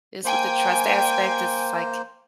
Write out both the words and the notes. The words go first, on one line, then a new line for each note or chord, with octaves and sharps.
it's with the trust aspect, it's like
A#3 C5 G5 G#5